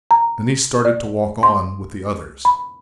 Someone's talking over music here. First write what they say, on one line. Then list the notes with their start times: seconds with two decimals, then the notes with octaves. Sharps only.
Then he started to walk on with the others.
0.11 A#5
0.85 D5
1.43 C6
2.45 B5